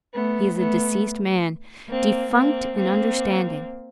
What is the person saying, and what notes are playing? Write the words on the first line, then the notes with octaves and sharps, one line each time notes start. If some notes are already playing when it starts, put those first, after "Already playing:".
He is a deceased man--defunct in understanding.
A3 B3
A3 B3
A#3 C4
A#3 C4
A#3 C4